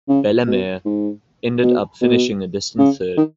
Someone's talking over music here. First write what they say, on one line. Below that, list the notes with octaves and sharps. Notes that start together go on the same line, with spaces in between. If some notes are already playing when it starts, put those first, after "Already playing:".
Bellemare ended up finishing a distant third.
C#3
B2
G#2
B2
B2
C#3
D#3